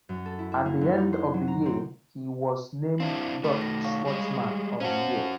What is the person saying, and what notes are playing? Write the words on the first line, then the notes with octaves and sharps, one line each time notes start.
At the end of the year he was named Dutch Sportsman of the year.
F#2
A4
E4
E5
A#3
F#2
D#4
C5
F#3
A#5
C4
C4 D4 E4 F5
D#3 A3 B5
A#6
C#5 F5 C#6
G3 G#3
C#4 F#4 C5 F5 A5